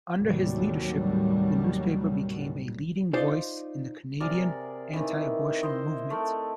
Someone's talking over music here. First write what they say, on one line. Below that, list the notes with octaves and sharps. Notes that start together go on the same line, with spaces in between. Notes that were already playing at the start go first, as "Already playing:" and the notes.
Under his leadership, the newspaper became a leading voice in the Canadian anti-abortion movement.
D#2 A2 C3 F#3 G3
D#4 F4 C5 D5
C3 G#4 A#4 D5
D#3 E3
E4 C5 D#5
A3 A#4